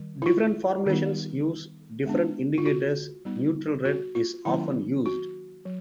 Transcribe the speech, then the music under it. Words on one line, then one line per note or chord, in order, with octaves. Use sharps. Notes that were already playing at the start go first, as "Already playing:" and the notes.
Different formulations use different indicators; neutral red is often used.
Already playing: D#3 G3
E4
F4
D#3 G3 B3 D#4
G#3 B3 D4
F4
F#4
G3 B3 D#4
F#4
F4
D#3 F#3 A#3 C#4 E4
F#4
F#3